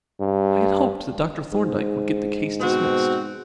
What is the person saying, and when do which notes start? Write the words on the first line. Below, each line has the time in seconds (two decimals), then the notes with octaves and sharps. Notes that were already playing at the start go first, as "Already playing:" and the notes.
I had hoped that Dr. Thorndyke would get the case dismissed.
0.20 G2
1.53 G#2
2.60 B2 C4 F#4